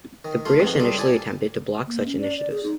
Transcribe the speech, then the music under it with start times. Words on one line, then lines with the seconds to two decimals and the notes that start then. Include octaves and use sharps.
The British initially attempted to block such initiatives.
0.25 D#3
0.45 A3 F4 C6
0.60 F2 G#2 B2
0.80 C#2 G3 A4 C6
0.98 E4 G4 D5 G#5 A5
1.87 A#3
2.05 C#4
2.21 D5
2.36 D5
2.51 G#4
2.63 D#4